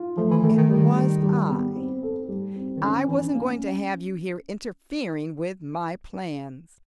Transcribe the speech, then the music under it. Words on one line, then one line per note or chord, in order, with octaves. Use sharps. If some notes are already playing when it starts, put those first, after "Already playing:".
"It was I. I wasn't going to have you here interfering with my plans."
Already playing: F4
F3 A3
E3
D#3 A3
D#3
D#3 G3
G3
G3
B3
C4
A4
G3
C4
D#3
D3 C#4
E3 C#4
A#3 C#4